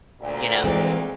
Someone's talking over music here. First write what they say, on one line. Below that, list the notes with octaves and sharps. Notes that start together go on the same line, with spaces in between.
you know?
D2 A#2
E3 G#3 C4